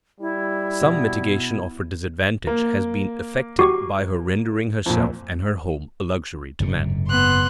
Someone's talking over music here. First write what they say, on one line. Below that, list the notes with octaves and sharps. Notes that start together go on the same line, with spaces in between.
Some mitigation of her disadvantage has been effected by her rendering herself and her home a luxury to man.
G3 E4
B2
A#3
F#4 G4 C#6
F2 A#2
F#1 G#2 C3
B3 C6 F#6